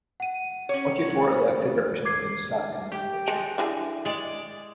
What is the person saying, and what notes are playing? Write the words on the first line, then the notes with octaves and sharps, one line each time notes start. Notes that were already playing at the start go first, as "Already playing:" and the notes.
Twenty-four elected representatives sat in the lower chamber.
F#5 D#7
C#4 C#5
C5
D6 G#6 C7
G4
G#3
D3 E3 G#4
G#3 D5